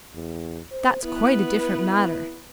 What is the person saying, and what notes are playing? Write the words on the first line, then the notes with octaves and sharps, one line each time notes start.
"That's quite a different matter."
E2
C5
B3 E4 B4